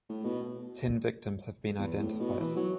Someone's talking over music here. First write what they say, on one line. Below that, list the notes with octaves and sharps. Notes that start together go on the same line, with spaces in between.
Ten victims have been identified.
A2
B2
E2
A2
B2
E3
F#3